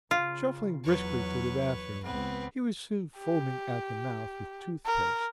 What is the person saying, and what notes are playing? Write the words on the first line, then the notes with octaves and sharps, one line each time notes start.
Shuffling briskly to the bathroom, he was soon foaming at the mouth with tooth-paste.
C#3 F4
E2 F#3 B4 C#5
C#2 B3 C4 B4
G4
A#4